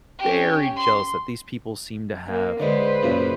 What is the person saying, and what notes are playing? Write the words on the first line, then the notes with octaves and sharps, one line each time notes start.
very jealous that these people seem to have,
C#4 G4
C6
A#3
D3 G#3 B4 C5
F#2 A#2 C#3